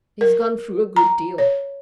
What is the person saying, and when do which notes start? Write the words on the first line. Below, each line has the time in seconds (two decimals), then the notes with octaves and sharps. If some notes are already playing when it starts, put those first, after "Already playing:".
He's gone through a good deal.
0.21 A#4
0.96 A#5
1.38 C#5